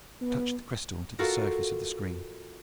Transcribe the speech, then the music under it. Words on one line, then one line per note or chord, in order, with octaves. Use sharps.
She touched the crystal to the surface of the screen.
B3
F4 F#4 A4 A#4